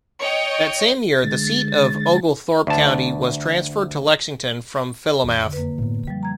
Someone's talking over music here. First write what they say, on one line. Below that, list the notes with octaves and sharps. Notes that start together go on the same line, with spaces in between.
That same year, the seat of Oglethorpe County was transferred to Lexington from Philomath.
C#5 D#5 G5
D3 G#3 A6
D2 A5
F2 D#3
F#2 D3
A#3 B4
A2 B3
D3 F3 G3
A#5 G#6